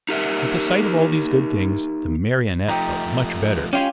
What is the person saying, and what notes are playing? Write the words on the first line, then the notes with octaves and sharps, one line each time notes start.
At the sight of all these good things, the Marionette felt much better.
D#4 G4 A#4 E5
F3 A3 D#4 G4
C#4 F4 G4 G#5